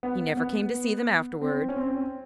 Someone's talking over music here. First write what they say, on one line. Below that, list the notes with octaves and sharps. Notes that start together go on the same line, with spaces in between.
He never came to see them afterward.
B3
B3
C4
C#4
C4